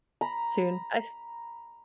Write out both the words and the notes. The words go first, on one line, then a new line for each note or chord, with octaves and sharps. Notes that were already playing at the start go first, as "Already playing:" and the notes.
soon, I s
A#5 B5